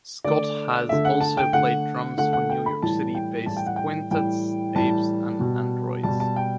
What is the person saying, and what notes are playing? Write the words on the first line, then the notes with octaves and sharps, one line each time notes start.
Scott has also played drums for New York City-based quintet Apes and Androids.
D3 A3 D5
D3 A3 E5
F#5
A5
G5
D3 A3 F#5
D3 A3 F#5
F#5
G5
B5
A2 E3 G3 A5
G5
A2 E3 G3 A5
G5
F#5
G5
A2 E3 G3 G5
A2 E3 G3 A5
B2 G3
B2 G3 A5
A5
G5